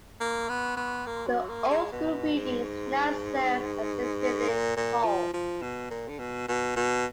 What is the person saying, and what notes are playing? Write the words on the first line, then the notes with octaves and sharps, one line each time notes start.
The old school buildings now serve as the Village Hall.
A#3
B3
B3
A#3
F#3
A#3
G#3
B2
G#2
A#2
A#2
F3
F3
B2
A#2
D3
B2
B2
B2